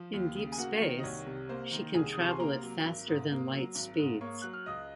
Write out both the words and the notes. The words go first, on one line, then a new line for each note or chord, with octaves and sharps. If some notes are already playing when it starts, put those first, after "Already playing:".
In deep space, she can travel at faster-than-light speeds.
Already playing: F3
D#2
C#3
G#5
A#3 F#4 F#5
D#3
D#5
C2 C#5
C3
A#3 C5
D#3
C2 G#4 G#5
D#6
C3 C#6
C6
A#3 A#4 A#5
F#3
G#1
G#2
A#3
F#3
G#1
G#2
A#3 C#5 C#6
F#3 F#6
F6
C#2 D#5 D#6